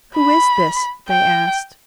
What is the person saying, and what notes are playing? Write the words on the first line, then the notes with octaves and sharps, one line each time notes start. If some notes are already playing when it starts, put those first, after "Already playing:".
"Who is this?" they asked.
B5
G5